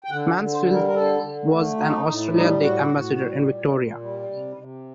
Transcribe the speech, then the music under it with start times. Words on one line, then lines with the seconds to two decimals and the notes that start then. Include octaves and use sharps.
Mansfield was an Australia Day ambassador in Victoria.
0.04 G5
0.10 D3 F#5
0.39 D3
0.52 C5
0.67 G3
0.74 A#4
0.87 A#4
0.94 D3 A4
1.22 D3
1.50 A3
1.78 D#4 F#4
2.05 A2 D#4
2.34 G3 D#4
2.61 A2 F#4
2.89 A2
3.17 G3
3.46 A#2
3.73 A#2
4.01 G3
4.29 C3
4.57 C3